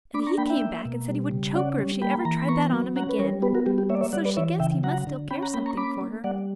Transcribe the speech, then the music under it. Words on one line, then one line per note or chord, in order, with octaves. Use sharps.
And he came back, and said he would choke her if she ever tried that on him again; so she guessed he must still care something for her.
D4 B5 D6
A#5 C#6
A#3 G5 B5
E5 G5
A#3
B2
G3
C#3
C#4 D5 F#5
G3
A#3 G5 B5
E3 A#5
B5
B3 A#5 C#6
F#3
C#4 F#5 A#5
B4
G3 A#4 C#5
B3 G4 B4
F#4 A#4
G3 G4
G4
A#3 C#5 E5
D5
C#5 E5
G3 D5 F#5
B4 D5
E3 C#5 E5
C#3 E5 G5
F#3 F#5 A#5
D3
C#4 G5 B5
F#5 A#5
A#3 G5 B5
A#5 C#6
C#4 B5 D6
A#3
G3 D5 F#5